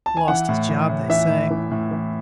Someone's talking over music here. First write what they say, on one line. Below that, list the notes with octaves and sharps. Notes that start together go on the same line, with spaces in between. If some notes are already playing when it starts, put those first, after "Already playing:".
Lost his job, they say.
A5
G#5
E3 F#5
A2
E3
A2
E3 E5
A2
E3
A2
E3